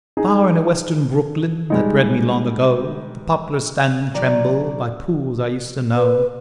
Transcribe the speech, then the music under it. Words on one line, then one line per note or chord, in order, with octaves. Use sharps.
Far in a western brookland That bred me long ago The poplars stand and tremble By pools I used to know.
D#4 G#4
G3 G#3 D#4
D#3 F#3 D5 A#5
B4